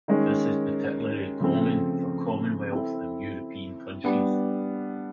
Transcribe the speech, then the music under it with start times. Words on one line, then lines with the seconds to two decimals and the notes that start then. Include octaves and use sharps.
This is particularly common for commonwealth and European countries.
0.08 D#3 G#3 C#4
1.40 C#3 F3 A3 C4
2.72 C4 E4 A4
4.04 G3 B3 D4